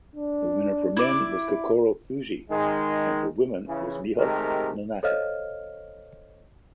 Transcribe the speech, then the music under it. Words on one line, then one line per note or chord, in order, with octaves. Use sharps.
The winner for men was Kokoro Fujii and for women was Miho Nonaka.
D4
E4 D5
D#3 G#3
C#3 E3
C3 D#3 G#3 A3 G4 A#4
A4 C5 C#5 D#5 F5 F6